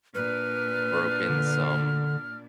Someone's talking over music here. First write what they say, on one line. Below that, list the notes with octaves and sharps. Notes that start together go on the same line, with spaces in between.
broken some
A#2 D4 B4 F6
D3